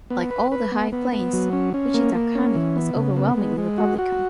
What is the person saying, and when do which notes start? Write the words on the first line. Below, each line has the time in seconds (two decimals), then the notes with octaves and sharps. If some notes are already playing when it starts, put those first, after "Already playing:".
Like all the High Plains, Wichita County is overwhelmingly Republican.
0.10 B3
0.31 B4
0.52 B4
0.72 B3
0.92 B3
1.12 B3
1.33 F#3
1.53 C#4
1.74 C#4
1.94 A#3
2.14 A#3
2.35 C#4
2.55 E3
2.76 B3
2.96 C#3
3.17 B3
3.37 G#3
3.58 G#3
3.78 F#4
3.98 F#4